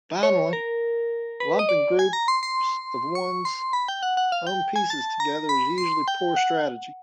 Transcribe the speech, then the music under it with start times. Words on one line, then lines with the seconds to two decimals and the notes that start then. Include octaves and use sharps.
Finally, lumping groups of one's own pieces together is usually poor strategy.
0.23 C#5
0.53 A#4
1.40 B4
1.59 D#5
1.69 D5
1.99 G#5
2.13 A#5
2.28 C6
2.43 C6
3.15 C#6
3.45 C6
3.73 B5
3.88 G5
4.03 F#5
4.17 F#5
4.32 F5
4.47 G5
4.76 G#5
4.90 A5
5.20 A#5
5.49 B5
5.78 C6
6.08 G5
6.36 F#5